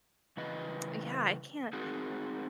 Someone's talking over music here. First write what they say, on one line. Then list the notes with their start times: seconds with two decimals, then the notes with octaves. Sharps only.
yeah, I can't
0.37 C#3 E3 B4 D#5
1.73 C4 D#4 F#4 G#4 A#4